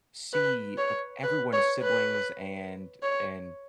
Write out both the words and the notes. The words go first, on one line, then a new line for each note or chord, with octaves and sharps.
see, like, everyone's siblings and and,
B4
C#5
B4
C#5
B4
C#5